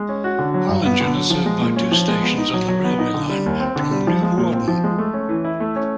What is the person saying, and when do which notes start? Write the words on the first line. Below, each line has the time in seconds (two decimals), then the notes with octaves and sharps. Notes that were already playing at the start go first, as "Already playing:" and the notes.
Harlingen is served by two stations on the railway line from Leeuwarden.
Already playing: G#3
0.09 C#4
0.24 F#4
0.39 D3
0.54 F#3
0.69 G2
0.85 B3
1.01 D3
1.15 F#3
1.30 F3
1.46 G#3
1.62 A#2
1.76 C#4
1.91 F3
2.08 G#3
2.22 B3
2.38 D#4
2.54 F#3
2.68 F#3
2.84 B3
2.99 D#4
3.14 D3
3.29 G3
3.46 D#2
3.60 C4
3.76 D3
3.91 G3
4.07 F3
4.22 G#3
4.38 A#2
4.53 C4
4.68 F3
4.84 G#3
4.98 A3
5.13 C#4
5.29 E3
5.44 E4
5.60 A3
5.76 C#4